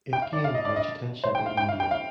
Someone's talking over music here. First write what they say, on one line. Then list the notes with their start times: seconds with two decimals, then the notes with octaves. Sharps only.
It gained much attention in the media.
0.13 G5
0.22 F5
0.33 D5
0.44 F5
0.54 D#5
0.65 D5
0.76 D#5
1.24 C5
1.35 G5
1.46 F5
1.57 G5
1.69 F5
1.80 G5
1.91 F5